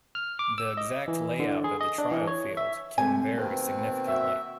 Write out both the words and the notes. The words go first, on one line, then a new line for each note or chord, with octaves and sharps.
The exact layout of the trial field can vary significantly.
F6
D6
E6
D#5
E3
D3
G#4
D#5
D4
E3
C#5
E5
C3 G#3 A3 G#5
B2 D#3 A#3 C4 B4
F#4 E5